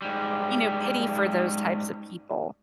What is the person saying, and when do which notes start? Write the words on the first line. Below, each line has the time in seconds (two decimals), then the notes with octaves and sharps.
you know, pity for those types of people
0.02 G#2 G3